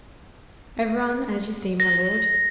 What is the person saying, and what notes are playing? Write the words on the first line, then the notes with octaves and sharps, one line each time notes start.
"Everyone, as you see, my lord."
A#6